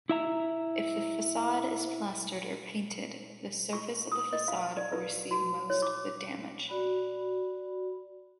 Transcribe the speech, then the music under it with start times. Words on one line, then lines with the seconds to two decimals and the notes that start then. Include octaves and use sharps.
If the facade is plastered or painted, the surface of the facade will receive most of the damage.
0.09 E4 E5 A#5
3.73 C#6
4.12 D#6
4.33 D#5
4.48 F5
4.77 D5
4.92 B4
5.31 F#4
5.70 C#5
5.82 D6
6.69 F#4 D5 B5